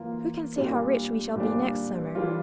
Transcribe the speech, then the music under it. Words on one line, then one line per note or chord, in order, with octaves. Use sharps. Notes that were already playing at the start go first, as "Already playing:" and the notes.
Who can say how rich we shall be next summer?
Already playing: E3 A#3 F4
A#2 G3 D4
A#2 G3 D4
E3 G3 D4 F4